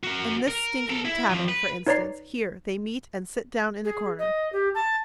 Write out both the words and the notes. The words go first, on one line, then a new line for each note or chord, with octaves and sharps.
In this stinking tavern, for instance, here, they meet and sit down in a corner.
F#4 A#4
A#4
A4 A#4
E4
F2 F3
B4
D#4 B4 C#5 D5 A#5 C7
G#4
D#5
G4
A5